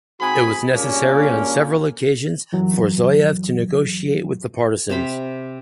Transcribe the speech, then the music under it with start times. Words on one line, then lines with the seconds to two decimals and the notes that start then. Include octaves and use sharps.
It was necessary on several occasions for Zuyev to negotiate with the partisans.
0.20 G#2 C4 F#4 G#4 G#5 B5
0.75 G2 A#2 G#3 A#3 C#4
2.52 F#2 E3 F#3
4.90 C3 C5 B5